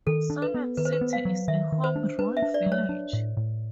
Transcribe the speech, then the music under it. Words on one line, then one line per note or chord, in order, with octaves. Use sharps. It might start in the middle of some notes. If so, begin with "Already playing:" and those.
Cement City is a home rule village.
D#3 A4
D4
B4
B3
D#3 B4
C5
B4
B3
F5
F#3
D#3 E5
D#3
C5
D4
D4 B4
E5
D4
D5
F#3
C#5
D4
A2
A2